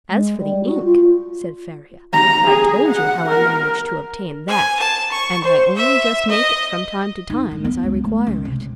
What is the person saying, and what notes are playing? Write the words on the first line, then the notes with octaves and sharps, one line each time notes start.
"As for the ink," said Faria, "I told you how I managed to obtain that--and I only just make it from time to time, as I require it."
G#3
G3
F#4
F4
A#5
G#4
F#5
A#4
G#5
A5
C#6
C5
E5
D#5
D#4
G2
B3
C#2
A3
C#2
C3